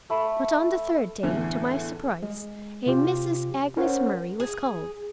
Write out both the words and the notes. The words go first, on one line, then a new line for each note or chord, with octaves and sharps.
But on the third day, to my surprise, a Mrs. Agnes Murray was called.
A3 B5
E2 A2 D3 E3
G#3
C3 F4 G4
C#4 A#4 C5 C#5 F#5
G#4